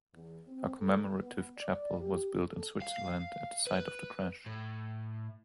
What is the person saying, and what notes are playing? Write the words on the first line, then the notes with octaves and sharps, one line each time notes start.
A commemorative chapel was built in Switzerland at the site of the crash.
E2
C4
A4
B3
D5
G4
A4
F5
B4
A2